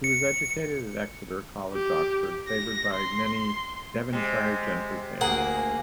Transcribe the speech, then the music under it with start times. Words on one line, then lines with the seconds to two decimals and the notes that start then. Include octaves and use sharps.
He was educated at Exeter College, Oxford, favoured by many Devonshire gentry families.
0.04 C#7
1.73 G4
2.48 A#6
2.95 C6
4.13 C3 G#3
5.21 D2 A#3 G#4 F#5